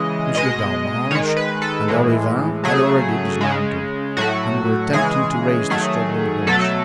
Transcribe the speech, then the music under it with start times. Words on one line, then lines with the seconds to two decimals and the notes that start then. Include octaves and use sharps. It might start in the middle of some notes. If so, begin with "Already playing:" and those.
Monsieur d'Arminges and Olivain had already dismounted and were attempting to raise the struggling horse.
Already playing: C#3 E3 G#3 D#5
0.35 B2 G#3 D#5
1.11 D#3 G#3 C#5
1.37 B4
1.62 A4
1.88 A2 E3 G#3
2.64 C#3 F#3 A3 G#4
3.41 C#3 G#3
4.17 A2 F#3 A3 F#4
4.93 C#3 E3 G#3 G#4
5.70 D#3 F#3 A3 G#4
6.47 B2 F#3 A3 A4